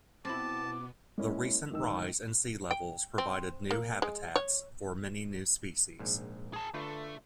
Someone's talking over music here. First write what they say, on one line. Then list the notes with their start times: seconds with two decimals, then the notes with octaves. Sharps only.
The recent rise in sea levels provided new habitats for many new species.
0.25 B2 B3 C4 E4 A5 D6
1.18 G#3 A#3 C#4 E4
1.70 D1 G#2 D#3 E6
2.71 G5
3.18 C4
3.71 A#3
4.02 G#3
4.36 C#5
5.99 A#1 G#2
6.53 G#4 A5
6.74 D3 A3 F4 B4